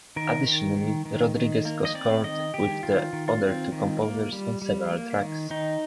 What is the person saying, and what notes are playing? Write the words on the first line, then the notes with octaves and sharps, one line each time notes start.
Additionally, Rodriguez co-scored with the other two composers on several tracks.
D#3 A#4
D#3
D#3
D#3
D#3
A#3
D#5
C4 D5
D#3 D#5
D#3 G4
D#3 F4
D#3
F4
C4
D#3
A#3
G3
G3
A#3
D#3
D#3 D#4